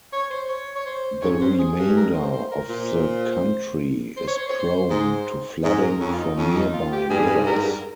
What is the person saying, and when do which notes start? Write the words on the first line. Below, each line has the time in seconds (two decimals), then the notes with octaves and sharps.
The remainder of the country is prone to flooding from nearby rivers.
0.13 C#5
0.31 C5
0.48 C#5
0.76 C#5
0.86 C5
1.22 G#2 C#5
1.41 G2 C5
1.59 G#4
1.78 G2 G#4
1.96 A#4
2.14 C5
2.33 C5
2.51 A#4
2.69 A#2 C5
4.17 C5
4.27 C#5
4.38 C5
4.48 C#5
4.59 C5
4.90 G#2 C5
5.63 G#2 C5
5.81 A#4
6.00 F2 C#4
6.13 F4
6.18 D#4
6.37 F2 C#4
6.55 D#4
6.74 F4
6.92 G4
7.10 G2 G#4
7.19 G#2
7.26 G2
7.35 G#2
7.44 G2 A#4
7.52 G#2
7.61 G2